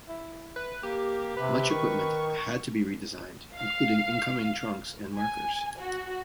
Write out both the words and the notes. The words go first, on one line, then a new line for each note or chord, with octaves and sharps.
Much equipment had to be redesigned, including incoming trunks and markers.
E4
B4
A#3 G4
C3 B4
D#3 C#6
F5
G#5
F#4